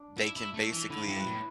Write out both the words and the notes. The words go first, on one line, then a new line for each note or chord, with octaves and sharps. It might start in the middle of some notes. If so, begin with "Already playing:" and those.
they can basically,
Already playing: D4
E4
E4
A3
E3
D3 E4
G2
B4
A2